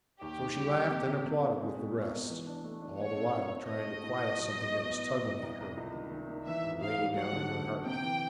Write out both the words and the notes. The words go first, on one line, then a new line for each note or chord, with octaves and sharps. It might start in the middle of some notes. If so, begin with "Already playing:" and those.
So she laughed and applauded with the rest, all the while trying to quiet something that was tugging at her away down in her heart.
D#2 G4
D#2
G3
D#2
C3
C3
C3
C3
G#3
B2
B2
B2
E3
D4
A3
D4
A3 C#5
C4
C4
C4
A3 D#5
A3
A2
A3
F#3
B3
B2
B3
B3
C2
C2
C2
C#2
D#3
D#3
D#3
E3 E5
G#2
G#2 F5
G3
F#3 F#5
D3
D3
D3
C3 G5
E3